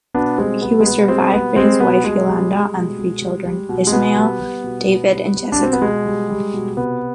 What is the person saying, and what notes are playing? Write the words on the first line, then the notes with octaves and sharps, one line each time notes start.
He was survived by his wife Yolanda and three children: Ismael, David, and Jessica.
B2 B3 D4
G3 G#3 C4
G3 B3
G#3
B2 B3
B2 G#3 C4
G3 B3
G3 G#3 C4
B2 B3
B2 G#3
G3
G3
B2
B2
G3
G3
B2
G#3
B2 B3
G3
G3
B2
B2
G3
G3
D4
B2 C4
B3
B2 G#3
G3
G3
B2
C3 B3